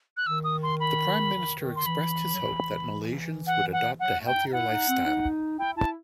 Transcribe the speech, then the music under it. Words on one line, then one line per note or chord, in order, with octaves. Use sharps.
The Prime Minister expressed his hope that Malaysians would adopt a healthier lifestyle.
F#6
D#3 E6
D#6
C6
B5
D#3
D#3
C6
D#3
E3 B5
F#3
E3
F#5
F#5
F#3 F#5
A3
G5
D#4
E4 F#5
D#4
C4
D#4
E4 G5
E4 A5